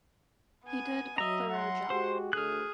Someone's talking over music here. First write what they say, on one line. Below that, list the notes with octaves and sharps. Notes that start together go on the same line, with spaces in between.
He did a thorough job.
B3 G#5
F#3 D#5 E5 A#5
F#5 C6
G#3 F#4 G4 C5
D2 G#4 F6 F#6